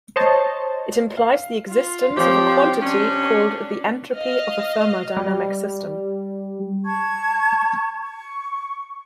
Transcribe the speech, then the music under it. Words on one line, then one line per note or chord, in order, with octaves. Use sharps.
It implies the existence of a quantity called the entropy of a thermodynamic system.
C5 C#5 D#5 A5
F5
F4
F3 C4 G4 C5 C#5
C3 C#4 D4
D#5 F5 F6
G3
A5 C#6 G#6
C#6